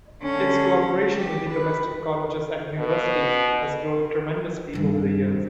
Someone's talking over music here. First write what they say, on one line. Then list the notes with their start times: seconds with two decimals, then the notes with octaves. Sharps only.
Its cooperation with the domestic colleges and universities has grown tremendously over the years.
0.23 D3 C#4
1.13 G4
1.49 B4
2.78 B2
4.73 G2 D#3